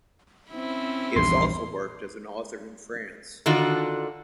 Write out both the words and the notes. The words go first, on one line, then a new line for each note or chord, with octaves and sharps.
He has also worked as an author in France.
C4 C#4 E4
A#1 E2 G2 C6
D3 D#3 D4 F4 F#4